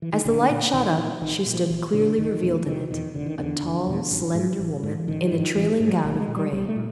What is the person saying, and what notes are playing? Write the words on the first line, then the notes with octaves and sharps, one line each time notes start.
As the light shot up she stood clearly revealed in it--a tall, slender woman in a trailing gown of grey.
E3
D#3
A#1 D3
A#2
A#1 D#3
A#2
A#1 D#3
A#2
F3
A#1 E3
A#2 D3
F1 D#3
E2 B2
F1 D#3
E2 B2 D#3
F1 D3
D#3
E2 B2 D3
F1
E2 B2
A1
G#2
A1
G#2
A1 D#3
D#3
G#2
D#3
A1 E3
G#2
F#3
B1 G3
G#3
A#2
G3
B1 G3
A3
A#2